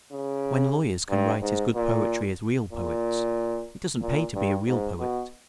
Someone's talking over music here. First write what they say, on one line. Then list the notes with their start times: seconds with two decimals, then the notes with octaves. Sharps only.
When lawyers can write as good poetry as real poets, it doesn't pay to be a real poet.
0.12 C#3
1.09 G2
1.42 G#2
1.75 A#2
2.73 A#2
4.02 A#2
4.35 G2
4.67 G#2
5.00 B2